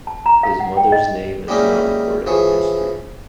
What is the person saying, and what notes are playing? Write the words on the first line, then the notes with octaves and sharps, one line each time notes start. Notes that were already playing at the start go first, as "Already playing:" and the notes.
His mother's name is not recorded in history.
A5
A#5
F5
F#5
G5
D#5
G3 G#3 A#3 C#4 D#4 E4
E3 F3 G#4 C#5